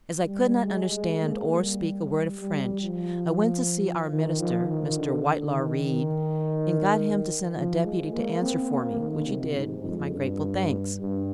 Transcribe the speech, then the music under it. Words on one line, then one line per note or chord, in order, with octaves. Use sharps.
As I could not understand or speak a word of French, I went to see our minister, Mr. Whitelaw Reid, and got him to send a deputy to answer for me, which he did, with my grateful thanks.
G3
G#3
G#3
A#3
G3
G3
F3
D#3
F3
D#3
D3
D3
D#3
F3
G#3
A#3
C4
A#3
D#3
C3
G#2
F2
G2
G2